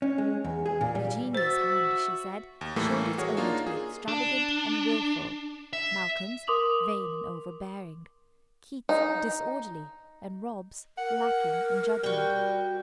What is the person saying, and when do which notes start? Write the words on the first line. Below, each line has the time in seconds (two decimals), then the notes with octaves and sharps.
Eugenia's hand, she said, showed its owner to be extravagant and wilful; Malcolm's, vain and overbearing; Keith's, disorderly; and Rob's, lacking in judgment.
0.02 C#4
0.18 G#3
0.44 E2
0.66 G#4
0.81 A#2
0.95 G3
1.35 F#4 C5 E5 A6
2.61 D#2
2.76 A2 E3 G3 A3 A#3
3.18 F#4 G#4 A#4 C#5
3.37 A#3 D4 D#4 F4
3.67 G#4
4.08 D4
5.73 E5
6.47 A#4 C6 D6 D#6 F7 F#7
8.89 D#4
10.98 A#4 F#5
12.03 G3 F#4 G5